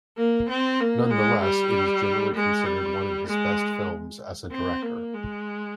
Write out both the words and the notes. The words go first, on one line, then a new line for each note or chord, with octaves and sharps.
Nonetheless, it is generally considered one of his best films as a director.
A#3
C4
A#3
G#3
G3
G#3
G3
G#3
C4
A#3
G#3